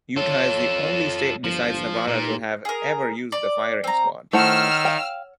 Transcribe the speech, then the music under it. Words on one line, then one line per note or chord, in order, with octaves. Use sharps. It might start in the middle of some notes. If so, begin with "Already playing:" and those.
Utah is the only state besides Nevada to have ever used the firing squad.
F4 A4 C#5
G1 F3
A#2 D#4 G4 B4
G#4 A#4
D5
C4 A#5
D#3 A3 E4 C5 C#5 F#5 E6 F6
F5 G5